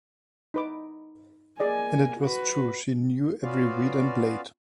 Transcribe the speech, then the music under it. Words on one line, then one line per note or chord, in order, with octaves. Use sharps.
And it was true, she knew every weed and blade.
D#4 B4 D6
A#3 G#4 D5 D#5 G#5
F#4 B4
B3 C#4 F4 F#4 D5 F5